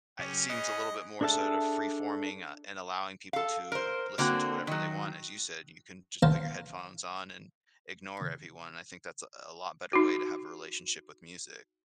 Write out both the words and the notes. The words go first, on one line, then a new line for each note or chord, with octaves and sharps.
uh, it seems a little bit more sort of free-forming, uh, and allowing people to listen to whatever they want. As you said, you can just put your headphones on and ignore everyone, and I think that's a a lot better way to have a relationship with music.
C#3 F#3 C#4 G4
G#4 B4 D#5
D4 G#4 A4 E5 A5
A4 F5
A#4 C5
D3 A#3 C4 F#4
D#3 F#3
B3 C#4 C5 F5 A5 A#5
D#4 F#4